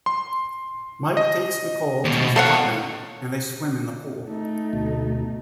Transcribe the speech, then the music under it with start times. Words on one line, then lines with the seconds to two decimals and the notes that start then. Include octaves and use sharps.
Mike takes Nicole to his apartment, and they swim in the pool.
0.06 C6
1.17 D#5
2.05 D#2 B2
2.36 G3 A4 C#5 F5 F#5
4.28 A3 D#4
4.73 D2 B2